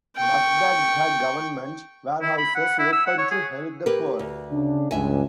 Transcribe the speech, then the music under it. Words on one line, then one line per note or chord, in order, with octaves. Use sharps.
Mazdak had government warehouses opened to help the poor.
G5 C#6
E4
B5
F#5
E4
E6
F#5
C#5
G#4
G4 A#4 B4
D2
C#3 D4
C#2 G2 E5 G#5